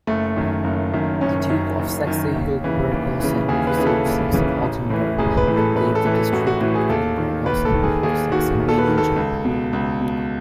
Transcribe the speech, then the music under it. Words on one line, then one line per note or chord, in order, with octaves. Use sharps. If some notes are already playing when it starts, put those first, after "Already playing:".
The Duke of Saxe-Hildburghausen received Saxe-Altenburg, and gave the district of Hildburghausen to Saxe-Meiningen.
F#1 A3
F#2 D#3
F#1
F#2 D#3
F#1 C#4
F#2 D#3
F#1
F#2 D#3
D#2
C#3 E3
D#2
C#3 E3
D#2 G#4
B4
C#3 E3 G#4
A4
D#2
C#3 E3
A1
A2 E3
A1 G#4
B4
A2 E3
A4
A1 B4
A4
A2 E3
A4
A1 F#4
F#4
A2 E3 F#4
G#4
D#2 A4
D#3
D#2 B4
A4
D#3
G#4
D#2 G#4
D#3 F#4
D#2
A4
B4
D#3
A4
C#2
B2
C#2
B2